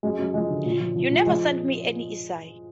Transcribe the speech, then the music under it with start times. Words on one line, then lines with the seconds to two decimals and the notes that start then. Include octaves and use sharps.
You never sent me any essay.
0.03 F#2 G#3
0.19 F#2
0.34 F3 G#3
0.50 D3
0.65 A#2
0.80 F3
0.96 F3
1.11 A#2
1.26 F3 G#3